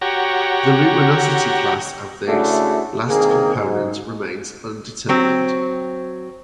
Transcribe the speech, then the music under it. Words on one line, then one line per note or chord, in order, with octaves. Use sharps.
The luminosity class of this last component remains undetermined.
F#4 G4 C#5 A#5
C#3 A3 D4 E4 F#4 G#4
G2 D#3 A#3 C4 G#4
G#2
F#3 C4